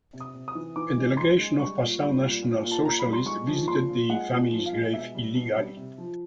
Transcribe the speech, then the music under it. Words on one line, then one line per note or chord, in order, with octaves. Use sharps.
A delegation of Passau National Socialists visited the family's grave illegally.
C3
D#6
C3
D#6
E3
E3 D6
G#3
C#3 C6
G#3
G3 C#6
A#2
G3
A#2
A#2
A#2
A5
A#2 A#5
B5
G3
C6
G#3 C#6
F3
A#2 C6
A#2
G#3 F#5
A#2
F3
F5
G#3
B2 E5
G3
B2
G3
C3
F3